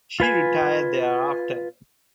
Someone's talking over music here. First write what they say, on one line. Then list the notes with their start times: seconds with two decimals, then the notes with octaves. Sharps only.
She retired thereafter.
0.20 F4 B4 G#5